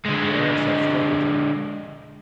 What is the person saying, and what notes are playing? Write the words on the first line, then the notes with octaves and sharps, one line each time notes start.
Yes, I've struck it.
D3 G#3